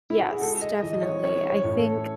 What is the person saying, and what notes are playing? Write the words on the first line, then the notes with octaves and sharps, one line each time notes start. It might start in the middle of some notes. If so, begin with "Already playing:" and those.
Yes, definitely. I think
E4
F#4
G#4
G#3 A4
D#5
E3 D#5
D#5
C#5
C#4 C#5
C#5
A2
A4